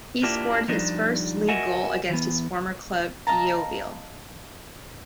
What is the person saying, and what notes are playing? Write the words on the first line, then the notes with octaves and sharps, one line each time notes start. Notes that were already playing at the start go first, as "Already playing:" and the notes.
He scored his first league goal against his former club Yeovil.
A#3 D4 E4 F4 G4
F3 G3 D4 D#4
F#4 A#4 D#5 E5 F#5 G#5
E3 B3
D#5 F5 A5 A#5